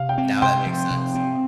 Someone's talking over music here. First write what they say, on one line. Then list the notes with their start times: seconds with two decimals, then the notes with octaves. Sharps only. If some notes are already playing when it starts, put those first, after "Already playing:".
Now that makes sense.
Already playing: C3 F5
0.09 G5
0.18 C4
0.42 C3 G5 C6
0.66 F3
0.90 C3
1.15 C4